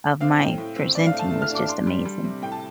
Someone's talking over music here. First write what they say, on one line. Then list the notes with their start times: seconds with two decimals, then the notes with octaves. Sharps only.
of my presenting was just amazing.
0.20 C4 F5
0.39 A2 G5
0.58 A2
0.76 C4
0.95 D4 D5
1.06 F5
1.13 A3
1.19 A5
1.31 A3
1.42 F6
1.51 D4 D6
1.68 D4 C6
1.87 G3
2.05 G3
2.24 C3
2.42 A2 G5
2.52 A5